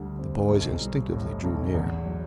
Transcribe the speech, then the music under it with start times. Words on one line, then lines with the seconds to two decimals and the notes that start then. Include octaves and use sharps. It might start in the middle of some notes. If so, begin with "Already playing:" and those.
The boys instinctively drew near.
Already playing: D2 D3 G3
0.19 C4
0.50 B1
0.81 G3
1.13 A2
1.44 B1
1.74 E2
2.06 F#3